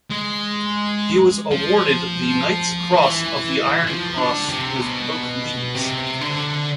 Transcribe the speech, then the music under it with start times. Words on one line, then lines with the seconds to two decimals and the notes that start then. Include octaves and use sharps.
He was awarded the Knight's Cross of the Iron Cross with Oak Leaves.
0.10 G#3
1.51 F3
2.93 E3
3.86 F3
4.18 D3
4.49 C3
4.81 B2
5.75 C3
6.21 D3